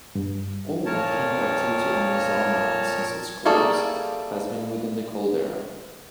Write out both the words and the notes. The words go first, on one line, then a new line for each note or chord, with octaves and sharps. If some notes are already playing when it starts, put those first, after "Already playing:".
All volcanic activity on Mazama since its collapse has been within the caldera.
G2
F2 A#2 A#4 C#5 A5
G3 A3 A#3 G#4 A4